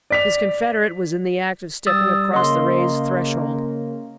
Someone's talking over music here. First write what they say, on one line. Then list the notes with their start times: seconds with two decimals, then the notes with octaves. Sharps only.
His confederate was in the act of stepping across the raised threshold.
0.10 D5 B6 F7
1.87 G3 D#6 E6 A6
2.33 C#3 A#3 D#5 C6